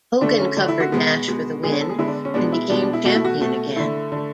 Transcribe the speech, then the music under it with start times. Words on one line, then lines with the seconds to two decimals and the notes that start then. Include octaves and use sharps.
Hogan covered Nash for the win and became champion again.
0.21 D3 A3 D4
0.39 C#4
0.57 D3 A3 D4
0.68 E4
0.80 F#4
0.92 B2 G#3 B3
1.28 B2 G#3 B3
1.63 D3 G#3 B3 G#4
1.72 C#5
1.81 A4
1.89 G#4
1.98 D3 G#3 B3 E4
2.08 D4
2.25 C#4
2.34 B2 G#3 B3 D4
2.52 E4
2.70 B2 G#3 B3 D4
2.81 D4
2.93 E4
3.05 B2 A3 F#4
3.15 E4
3.25 F#4
3.40 B2 A3
3.76 D3 A3 E4
4.12 D3 A3